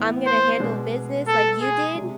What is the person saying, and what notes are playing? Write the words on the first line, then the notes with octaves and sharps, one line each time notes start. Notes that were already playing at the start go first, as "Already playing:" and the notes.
I'm gonna handle business like you did,
Already playing: A2 E3 B3
C5
B2 G#3 D4
A4
G#4
C3 G#3 D4